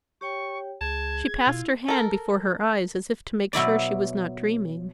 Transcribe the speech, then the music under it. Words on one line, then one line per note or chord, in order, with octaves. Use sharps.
She passed her hand before her eyes, as if to make sure she was not dreaming.
G4 C#5 G5 C#6
C#2 G#4 A5 G#6
B2 E4 F4
A4 A#4
B2 F#3 E4 D5